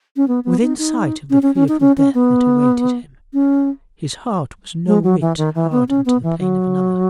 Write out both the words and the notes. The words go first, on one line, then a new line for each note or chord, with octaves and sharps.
Within sight of the fearful death that awaited him, his heart was no whit hardened to the pain of another.
C#4
B3
B3
D#4
D#4
C#4
C#4
C#4
D#4
C#4
C#4
B3
C#4
G#3
F#3
E3
D#3
E3
B3
C#4
B3
E3
F#3